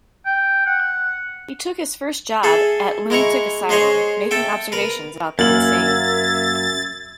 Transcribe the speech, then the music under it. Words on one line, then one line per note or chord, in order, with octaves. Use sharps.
He took his first job at Lunatic Asylum making observations about the insane.
G5
F#5
G#4 A4 E5
G#3 E4 A#5 C#6
G#3 G#4 C5 C#5 D#5
A4 E5 G5
A#4 B4
F#2 A#3 E5 E6 G#6 A6 F#7